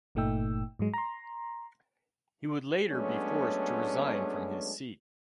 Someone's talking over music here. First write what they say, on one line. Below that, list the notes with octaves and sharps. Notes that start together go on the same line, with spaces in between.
He would later be forced to resign from his seat.
G1 A#2 A3 D#4 G5 E6
G#2 F#3 G#3
A#5 C6
F#3 G#3 A3 B3 C#4 D4